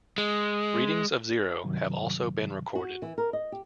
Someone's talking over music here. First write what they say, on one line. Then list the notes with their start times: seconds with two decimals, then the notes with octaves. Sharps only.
Readings of zero have also been recorded.
0.18 G#3
1.64 G2 C3 D#3 F#3
2.75 F#4
3.02 E3
3.18 A#4
3.33 D#5
3.52 G4